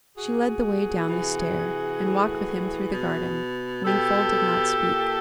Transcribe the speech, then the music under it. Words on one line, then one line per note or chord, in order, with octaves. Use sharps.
She led the way down the stair, and walked with him through the garden. Wingfold did not speak.
A#2 F#4 G#4
C3 E3
A2 E3
B2
B2 G4 A4
A#2